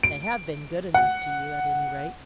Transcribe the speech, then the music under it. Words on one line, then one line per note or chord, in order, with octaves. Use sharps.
'They have been good enough to you, at any rate.
D7
F#5